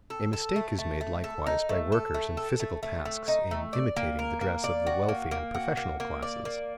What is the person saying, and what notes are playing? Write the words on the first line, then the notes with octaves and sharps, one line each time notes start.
A mistake is made likewise by workers in physical tasks in imitating the dress of the wealthy and professional classes.
A4
A4
A3
A3
A3
A4
D#4
A3
A4
A3
A4
A3
A3
A3
D#4
A3
D5
A#3
A#4
A#3
D5
F#4
A#3
A#3
F#4
A#3
A#3
D5
A#3